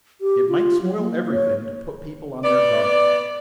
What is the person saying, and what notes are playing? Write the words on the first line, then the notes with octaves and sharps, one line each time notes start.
"It might spoil everything to put people on their guard."
G4
F4
F#3
A#3
C#5
B3 D5